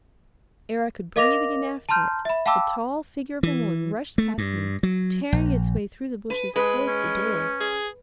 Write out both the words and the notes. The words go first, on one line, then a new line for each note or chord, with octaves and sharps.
Ere I could breathe again after it, the tall figure of a woman rushed past me, tearing its way through the bushes towards the door.
A#4 D#5 F5 D6 A#6 F7
A5 A#5 C6 F6 G6
E5 B5
F5 G5 A5 B5 D6 E6
E3
A3
G2
F#3
A#1
B4
G#3 G#4 B4
C#4
G#4